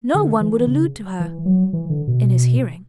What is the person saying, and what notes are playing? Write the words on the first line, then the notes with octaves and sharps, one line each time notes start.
No one would allude to her . . . in his hearing.
D3
E3
C#3
E3
F#3
E3
D3
B2